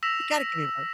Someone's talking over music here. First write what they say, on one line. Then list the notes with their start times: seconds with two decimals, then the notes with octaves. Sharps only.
You gotta give me one.
0.03 E6 A#6 B6 E7 F7